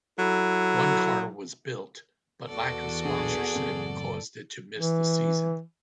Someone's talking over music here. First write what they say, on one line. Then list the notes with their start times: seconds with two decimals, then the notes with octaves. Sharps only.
One car was built, but lack of sponsorship caused it to miss the season.
0.18 F#3 E4 A4
2.48 E2 B3 F#4 A4 D5
3.05 B1 A#2 D4 G#4
3.56 F#1 A2 C4
4.77 E3